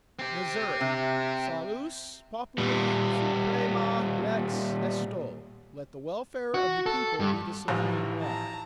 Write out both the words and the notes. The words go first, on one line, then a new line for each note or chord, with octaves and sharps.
Missouri--Salus populi suprema lex esto: Let the welfare of the people be the supreme law.
C4 G4
C3 E5
A#2 G3
F#4
A4
G2
G#1 F2 A2 C3 E3
A5 A#5